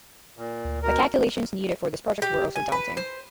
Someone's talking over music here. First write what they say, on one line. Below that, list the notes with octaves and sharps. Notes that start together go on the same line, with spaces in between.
The calculations needed for this project were also daunting.
A#2
D2
B2 A#4
G4
G#5
B4
C5